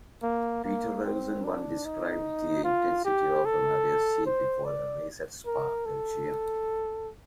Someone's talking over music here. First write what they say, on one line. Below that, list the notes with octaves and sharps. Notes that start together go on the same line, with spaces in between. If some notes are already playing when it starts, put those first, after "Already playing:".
Peter Revson once described the intensity of Mairesse before a race at Spa, Belgium.
A#3
A#3
C4
D4
D#4
F4
G4
A4
C5
D5
A#4
A4